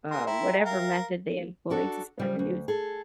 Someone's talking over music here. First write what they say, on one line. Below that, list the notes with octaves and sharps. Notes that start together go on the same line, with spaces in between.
uh, whatever method they employ to spread the news.
G#4 A#4 C6
E4 E5 G5 A#5
A#4 F5
D4 F#4 A4
C#3 F3 G3
D2
G#4 A4